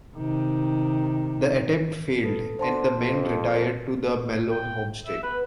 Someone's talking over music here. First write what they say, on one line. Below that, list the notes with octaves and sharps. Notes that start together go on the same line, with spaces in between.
The attempt failed and the men retired to the Malone homestead.
C3 D#3
A4 B4
D3 C5 A5 C6
F2
G5
E5
B3 B4